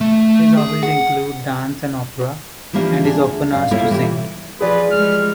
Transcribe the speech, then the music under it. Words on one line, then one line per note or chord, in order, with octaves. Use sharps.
His hobbies include dance and opera, and is often asked to sing.
A3
G#4
F#5
E3 F3 G3 A#3 D4 F4
D4 G#4
D2
F#2 D5 F5
G3 A#3 E4 F4 A4 C#5
C3 E3 G3
F3 F4 G#4 B4 D5
F3 G3 G#3 F6